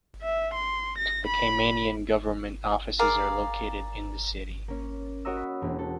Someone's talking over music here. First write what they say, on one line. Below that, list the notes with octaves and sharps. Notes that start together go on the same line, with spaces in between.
The Caymanian government offices are located in the city.
E5
C6
A#6
B5
G#4 A#4 D5 F5
A#3 C#4
F#4 A#4 C#5 D#5 A#5 E6
B5
E1 A#3
A4